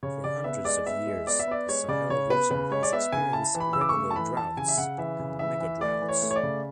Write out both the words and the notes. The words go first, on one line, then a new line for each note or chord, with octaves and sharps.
For hundreds of years, the Sahel region has experienced regular droughts and megadroughts.
C#3 C#5
C#3 D5
B3 E5
G#3 D5
B3 E5
G#3
B3 D5
E5
B3 D5
G#3 C#5
C#3 D5
C#3 C#5
B3 B4
C#3 B4
G#3 C#5
D5
B3 E5
C#3 G#5
E4 A5
E3
B5
C#3 E6
D6
C#6
A3
A5
E3 B5
E3 A5
C#3 G#5
E5
C#3 F#5
E3 E5
C#3
E3 E5
E3
A3 D5
E3
C#5
A3
C#5
D5
C#3